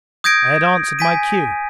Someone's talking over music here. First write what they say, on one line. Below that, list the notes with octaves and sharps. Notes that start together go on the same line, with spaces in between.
I had answered my cue.
D#6 G6 G#6 A#6 D7
G#5 B6 D#7